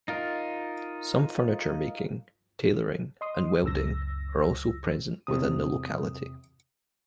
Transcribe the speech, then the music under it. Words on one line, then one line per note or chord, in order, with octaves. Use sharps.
Some furniture making, tailoring and welding are also present within the locality.
D#4 F4 A#4
D#5 C6 D#6
C#2 F#2 E6 A#6
E2 C3 D#6